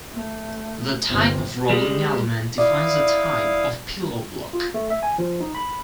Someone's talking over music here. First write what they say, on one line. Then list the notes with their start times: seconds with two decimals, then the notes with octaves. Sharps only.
The type of rolling element defines the type of pillow block.
0.12 A3
1.08 G1 C3
1.70 G3 G#3
2.58 E4 D5 F5 D#6
4.53 F4
4.74 A3
4.90 E5
5.03 G#5
5.18 F3
5.41 D#4
5.55 B5